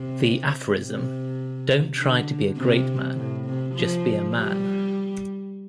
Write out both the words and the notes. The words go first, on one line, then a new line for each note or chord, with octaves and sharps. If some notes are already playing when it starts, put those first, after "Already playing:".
The aphorism Don't try to be a great man, just be a man.
Already playing: C3
C3
D3
C3
A2
C3
F3
G3